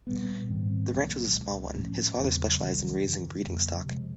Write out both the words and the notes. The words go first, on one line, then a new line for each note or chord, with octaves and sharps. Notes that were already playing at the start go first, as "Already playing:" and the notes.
The ranch was a small one; his father specialized in raising breeding stock.
A#2 G3 B3
G#2 D#3 G3 C4
C2 A#2 F#3 A#3
C#2 B2 G#3
A2 F3 A3 C#4
E2 C#3 F#3 B3
C2 C3 D#3 G3
F#2 C#3 E3
F2 C#3 F#3 A#3
C3 F3 G#3